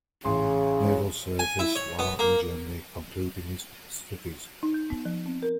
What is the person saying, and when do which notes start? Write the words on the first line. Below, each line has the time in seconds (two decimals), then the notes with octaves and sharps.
Naval service while in Germany concluding his studies.
0.25 A1 C#3 C6
1.39 G#5
1.59 E4
1.76 C#5
1.99 B3
2.19 A#3
4.63 D#4
4.74 G6
4.90 B3
5.05 F3
5.26 C4
5.43 A#4